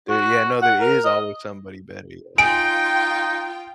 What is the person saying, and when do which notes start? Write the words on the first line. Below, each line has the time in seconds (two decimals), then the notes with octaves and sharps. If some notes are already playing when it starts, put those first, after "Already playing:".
There yeah, no, there is always somebody better, yeah.
0.10 F#4
0.62 F#5
0.81 A#4
1.05 D#5
2.38 D#4 F4 G5 G#5 D7